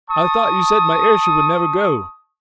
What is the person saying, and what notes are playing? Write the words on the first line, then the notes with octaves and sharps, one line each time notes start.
I thought you said my airship would never go!
A5 C#6 D#6